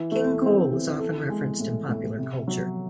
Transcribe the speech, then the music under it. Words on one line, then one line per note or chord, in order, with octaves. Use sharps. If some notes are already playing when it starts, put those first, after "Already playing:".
King Cole is often referenced in popular culture.
Already playing: E3
A3
C4
E3
A4
G#3
A2
A2
C3
F#3